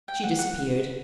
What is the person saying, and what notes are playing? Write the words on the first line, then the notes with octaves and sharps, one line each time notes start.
She disappeared.
G5
F#5
F#5